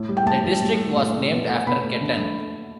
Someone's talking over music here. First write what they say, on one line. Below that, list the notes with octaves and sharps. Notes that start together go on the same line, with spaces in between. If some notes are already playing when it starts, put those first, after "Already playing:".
The district was named after Ketton.
Already playing: A2
G3
G5
A2 A5
G3
A2
A3
A2
A3
B2
A3
B2 B5
A3
D3
A3